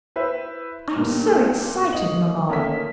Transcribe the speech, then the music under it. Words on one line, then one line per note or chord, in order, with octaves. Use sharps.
"I'm so excited, mamma."
E4 B4 C5 E5
G1 G2 A#2
D#5 F#7
A3 A#3 C#4 D#4 E5 B6